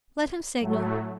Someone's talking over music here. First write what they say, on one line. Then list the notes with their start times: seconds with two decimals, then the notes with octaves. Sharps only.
"Let him signal."
0.60 A2 F#3 A3